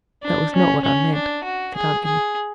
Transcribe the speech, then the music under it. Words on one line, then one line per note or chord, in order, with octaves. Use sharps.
"That was not what I meant," said Aunt Emmy.
D4
C#4
C#4
D4
F#4
G#4
G#4